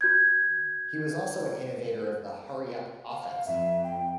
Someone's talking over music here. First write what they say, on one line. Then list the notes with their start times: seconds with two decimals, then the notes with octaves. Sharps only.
He was also an innovator of the hurry up offense.
0.01 F#4 G6 G#6
3.11 F5
3.46 F2 E5
3.84 G5